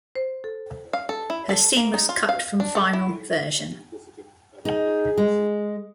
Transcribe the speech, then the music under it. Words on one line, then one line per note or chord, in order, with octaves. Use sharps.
Her scene was cut from final version.
C5
A4
F5
A4
E4
A4
A#3
D#4
F4
F5
D4
A4
E4
D#4 G#4
G#3